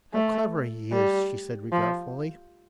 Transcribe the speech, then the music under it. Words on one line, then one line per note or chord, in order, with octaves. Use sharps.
"How clever he is!" she said, regretfully.
A3
G3
F3